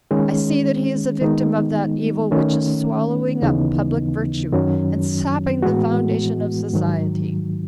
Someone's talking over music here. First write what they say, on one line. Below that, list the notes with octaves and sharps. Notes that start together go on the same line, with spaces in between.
I see that he is a victim of that evil which is swallowing up public virtue and sapping the foundation of society.
D#3 G#3 C#4
D#3 G#3 B3 D#4
D#3 A3 C#4
D#2 C#3 E3 B3 D#4
F#2 D#3 F#3 C#4
A2 E3 G#3 B3 F#4
G#2 D#3 F#3